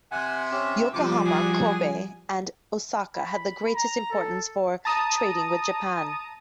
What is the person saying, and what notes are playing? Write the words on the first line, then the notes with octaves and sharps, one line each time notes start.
Yokohama, Kobe and Osaka had the greatest importance for trading with Japan.
C3 E5 F#5 G#5
C#4 G4
C3 F3 G3 D6
D4 F#4 G#4
G#5
B5
A#5
A4
A5 A#5 D#6